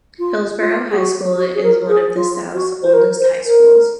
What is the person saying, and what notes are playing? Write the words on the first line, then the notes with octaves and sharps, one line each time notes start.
Hillsborough High School is one of the South's oldest high schools.
F4
F4
G#4
F#4
F#4
G#4
A#4
G#4
F4
F#4
C5
A#4
C5
A#4